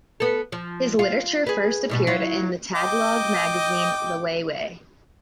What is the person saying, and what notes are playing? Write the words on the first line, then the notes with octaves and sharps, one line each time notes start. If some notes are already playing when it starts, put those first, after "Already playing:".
His literature first appeared in the Tagalog magazine, "Liwayway".
B3 A4
F3
F4
G#4 B4
G#2 B2 G3
F#3 E4 F4
D#5 G5 D6